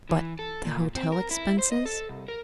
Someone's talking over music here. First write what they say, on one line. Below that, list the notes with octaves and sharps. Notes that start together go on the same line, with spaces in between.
"But the hotel expenses?"
E3
A4
A#2
C4
A#4
E4
C5
D#5
A4
C2
A#4